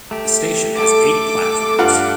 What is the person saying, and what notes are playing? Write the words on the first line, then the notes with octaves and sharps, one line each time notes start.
The station has eight platforms.
A3 G4
A4 D6
G2 F4 F#5